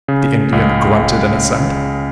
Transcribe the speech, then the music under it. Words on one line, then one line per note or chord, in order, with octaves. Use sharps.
The Indian grunted an assent.
C#3
C#2